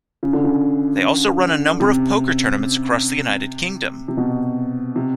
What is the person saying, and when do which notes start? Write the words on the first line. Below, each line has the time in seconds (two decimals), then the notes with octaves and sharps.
They also run a number of poker tournaments across the United Kingdom.
0.23 C#3
0.33 D3
0.44 C#3
1.80 C3
4.08 C3
4.17 B2
4.96 C3